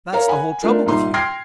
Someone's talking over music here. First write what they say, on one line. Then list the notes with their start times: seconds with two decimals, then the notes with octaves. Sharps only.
That's the whole trouble with you!
0.13 A#4 C#5 F5 A#5
0.28 F#5 G#5 B5
0.63 A3 D4 F4 A#4
0.86 C2 A#2 D#4 C6
1.14 G5 C6 F6 G#6 A#6 C7